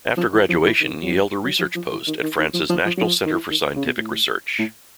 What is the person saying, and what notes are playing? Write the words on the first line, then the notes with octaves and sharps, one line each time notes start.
After graduation, he held a research post at France's National Center for Scientific Research.
F3
E3
F3
E3
D#3
F#3
F3
F#3
F3
F3
E3
D#3
D#3
D#3
F3
F3
F3
F#3
F3
D#3
E3
D#3
C#3
B2
A2
A2